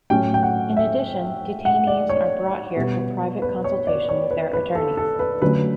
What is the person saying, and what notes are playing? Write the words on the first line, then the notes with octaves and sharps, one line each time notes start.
In addition, detainees are brought here for private consultation with their attorneys.
A2 F#3 A3 C#4 G5
G5
F#5
E5
F#5
D5
C#5
B2 G3 B3
B4
C#5
D5
C#5
B4
B4
A4
A4
B4
D3 F#3 A3 C#4 B4